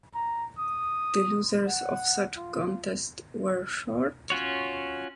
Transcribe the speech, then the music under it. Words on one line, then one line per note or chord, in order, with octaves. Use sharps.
The losers of such contests were shot.
A#5
D#6
F#5
F4
C#4 F4 F#4 C#5